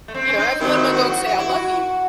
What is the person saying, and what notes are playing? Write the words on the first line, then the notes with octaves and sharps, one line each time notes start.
You know, I've heard my dog say I love you,
A3
C4
C#4
D#4
D#2 D#3 F#3 C4 E4
E4
F#4
F#4
F#4
E4
F#4